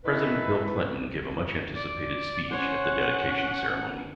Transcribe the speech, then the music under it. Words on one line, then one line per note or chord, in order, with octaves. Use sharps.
President Bill Clinton gave a much-anticipated speech at the dedication ceremony.
D#3 E3 E4 A4 B4
D5
C#4 C5 C#5 F#5